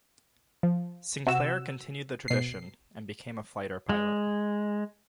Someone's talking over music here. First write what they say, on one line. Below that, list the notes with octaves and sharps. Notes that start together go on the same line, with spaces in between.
Sinclair continued the tradition and became a fighter pilot.
F3
C3 F#4 E6
B2 C7
G#3